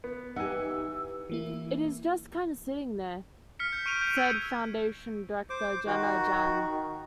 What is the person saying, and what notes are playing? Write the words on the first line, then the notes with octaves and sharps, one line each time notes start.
"It is just kind of sitting there", said Foundation director Janna Jahn.
B3
E3 D#4 G4 F#5 G#5 E6
E3 A#3 E4
F6 B6 C#7
G6
C#6 D7 D#7 F7
G6 D7
E6 G#6 C#7
C5 D6
D#3 F#4